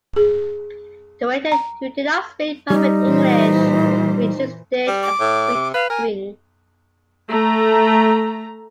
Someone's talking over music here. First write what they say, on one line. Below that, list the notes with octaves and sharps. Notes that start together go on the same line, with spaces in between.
The waiter, who did not speak perfect English, introduced the dish as sweet wing.
G#4
A#5
G3 D#4
A#2 E3 C5
G3
D6
A2
C3
B4 F5
A#4 G#5
A3 A#5